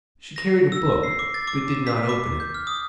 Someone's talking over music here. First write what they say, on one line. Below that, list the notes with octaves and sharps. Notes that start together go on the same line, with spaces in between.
She carried a book, but did not open it.
A#6
E6
C7
D6
A6
D6
B6
D6
G6
F6
D#6